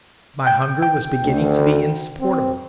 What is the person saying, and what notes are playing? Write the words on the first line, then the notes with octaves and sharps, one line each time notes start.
My hunger was beginning to be insupportable.
G5
G5
D2
C4